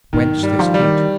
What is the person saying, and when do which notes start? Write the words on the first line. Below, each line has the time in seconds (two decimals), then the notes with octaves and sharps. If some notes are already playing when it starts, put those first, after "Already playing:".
Whence this heat?
0.13 G#2 D#3
0.36 G2
0.43 G3
0.59 F3
0.74 G3
0.81 D#3